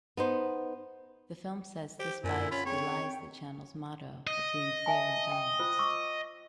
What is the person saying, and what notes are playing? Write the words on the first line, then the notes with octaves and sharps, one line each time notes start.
The film says this bias belies the channel's motto of being "Fair and Balanced".
B3 D#4 C5
G4 C5
F#2 A#2 E4 G#5
C#4 F4 C#5 B5
C#3 C4 C#5 G5
G5
D#5
E5 G#5 A5
G5
F4 C5
C#6 D6 E6